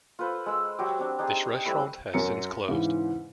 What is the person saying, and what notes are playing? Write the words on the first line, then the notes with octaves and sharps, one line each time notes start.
This restaurant has since closed.
F4 A4 B4 C5
G#3 G#5 E6
F#3 G4
C4 D4
D4 D#4 G4 G#4
G3 A3 C4 E4
F#2 F#3 C#5 A#5 C#7
G#2 C#3 E3